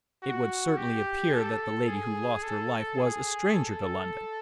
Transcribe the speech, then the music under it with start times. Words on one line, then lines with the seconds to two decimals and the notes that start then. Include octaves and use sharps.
"It would certainly appear that the lady who lost her life was a stranger to London."
0.23 F#4
0.78 G4
1.33 A4
1.88 G#4
2.43 A4
2.98 G#4
3.53 A4